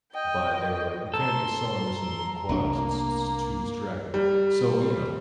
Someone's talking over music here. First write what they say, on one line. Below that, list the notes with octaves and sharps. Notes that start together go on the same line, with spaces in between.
But they were like, "You can't be selling this in in class. It's-it's too distracting." So, you know?
D#5 G5
A4 A#5 C6
C2 A3 A#3 D4
G3